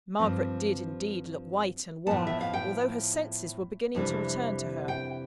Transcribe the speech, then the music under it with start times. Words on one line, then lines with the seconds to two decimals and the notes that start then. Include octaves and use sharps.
Margaret did indeed look white and wan, although her senses were beginning to return to her.
0.19 G2 F3 C4
2.07 A2 F3 B3 A5
2.27 E5
2.41 F5
2.53 G5
3.95 F2 C3 E3 G3 D4
4.88 G5